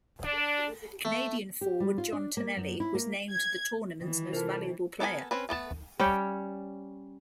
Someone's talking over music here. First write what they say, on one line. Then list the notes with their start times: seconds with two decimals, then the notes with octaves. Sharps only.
Canadian forward John Tonelli was named the tournament's most valuable player.
0.24 D4
1.05 A3
1.61 G4
1.80 G3
1.98 F4
2.13 D4
2.37 A#3
2.56 F#2
2.80 E4
2.95 A#3
3.33 G#6
4.01 D#3 E3
4.33 C3 F4 A4 A#4 C5 F7
5.00 B3 A4 A#4 G5 G#5
5.31 C4 C#4 B4
5.49 A3 B3 B4 A5
5.99 G3 C#4 C#5 G5